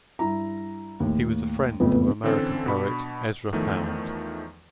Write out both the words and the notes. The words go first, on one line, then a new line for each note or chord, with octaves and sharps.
He was a friend of American poet Ezra Pound.
G2 E4 A#5
D#2 A2
F#1 F2 A2 B3
D3 E3 C4 C#4 A4
B2 D4 B5 C#6
E2 D#3 F3 A3